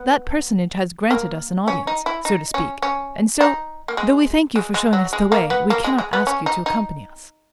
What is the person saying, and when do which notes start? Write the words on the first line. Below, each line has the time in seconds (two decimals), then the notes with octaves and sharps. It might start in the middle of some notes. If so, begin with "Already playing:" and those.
"That personage has granted us an audience, so to speak, and so, though we thank you for showing us the way, we cannot ask you to accompany us."
Already playing: B3
1.11 A#3
1.68 C#4
1.87 D#4
2.06 E4
2.25 D#4
2.54 C#4
2.82 C#4
3.41 D#4
3.88 A#3
3.97 G#3
4.56 G#3
4.74 G#3
4.93 F#3
5.13 G#3
5.32 A#3
5.50 B3
5.70 A#3
5.84 G#3
5.98 G#3
6.13 B3
6.27 C#4
6.46 D#4
6.66 D#4